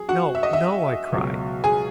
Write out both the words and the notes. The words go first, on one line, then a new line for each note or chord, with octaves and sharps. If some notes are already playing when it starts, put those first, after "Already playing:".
"No, no!" I cried.
Already playing: F#3 G#4
F#4 F#5
E5
D#5
E5
C#2 B2 F#3
G#4 G#5